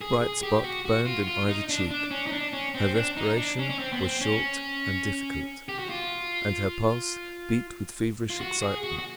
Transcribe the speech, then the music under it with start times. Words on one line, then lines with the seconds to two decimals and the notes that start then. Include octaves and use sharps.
A bright spot burned in either cheek, her respiration was short and difficult, and her pulse beat with feverish excitement.
0.01 G#4
0.22 G#4
0.43 G4
0.64 F#4
0.85 F#4
1.06 F4
1.28 F4
1.48 D#4
1.69 D4
1.91 D4
2.11 C#4
2.27 D#4
2.32 D4
2.53 C#4
2.75 C4
2.95 D4
3.17 D#4
3.37 D4
3.59 C#4
3.70 C#4
3.79 C4
3.93 B3
4.00 C4
4.21 C#4
5.69 G4
5.79 F#4
5.89 F4
8.30 F4
8.41 F#4
8.62 G#4
8.84 F#4
8.99 F#4